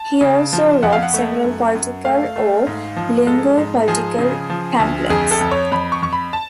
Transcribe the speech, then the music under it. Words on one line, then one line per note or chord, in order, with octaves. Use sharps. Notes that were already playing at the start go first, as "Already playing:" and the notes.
He also wrote several political or linguo-political pamphlets.
Already playing: A5
C#3
F3
F2 F#5
F5
F#5
A3
F#2
F#2
A3 F5
A3
G#2
F3
G#3 A4
G#2
F3 G#4
C#3
F3
D2
F2 G#4
A4
F2
C#5
F2 B5
C#6
F2 C#6
B5
A5